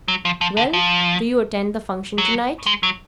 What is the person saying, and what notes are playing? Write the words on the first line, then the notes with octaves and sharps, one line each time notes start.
Well, do you attend the function to-night?
F#3
F3
F3
D3
F3
F#3
G#3
F#3